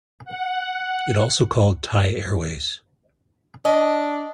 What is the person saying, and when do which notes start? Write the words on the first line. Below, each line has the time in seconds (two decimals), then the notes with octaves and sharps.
It also called Thai Airways.
0.25 F#5
3.65 D4 D#5